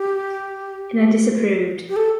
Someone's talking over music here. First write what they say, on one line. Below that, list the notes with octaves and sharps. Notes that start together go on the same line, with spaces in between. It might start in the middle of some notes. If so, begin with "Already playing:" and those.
And I disapproved.
Already playing: G4
G4
A4